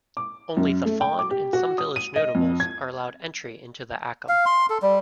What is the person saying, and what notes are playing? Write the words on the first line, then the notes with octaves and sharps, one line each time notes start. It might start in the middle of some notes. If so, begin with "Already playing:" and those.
Only the Fon and some village notables are allowed entry into the "Achum".
D6
F#2
A3
G5
D6
G4
F#4
D#6
D#7
D#5
F2
G#6
F5
C6
A4
G3